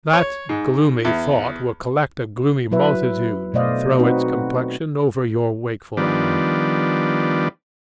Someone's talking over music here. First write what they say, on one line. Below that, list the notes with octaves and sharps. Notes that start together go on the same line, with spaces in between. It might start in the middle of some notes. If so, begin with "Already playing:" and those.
That gloomy thought will collect a gloomy multitude and throw its complexion over your wakeful hour.
C#5
G#2
E2
F#3 E4 B4 E5
B2 A3 C5 D5 D#5 F5
C4 D#4 F#4 B4
D#3 F3 G3 B3 D4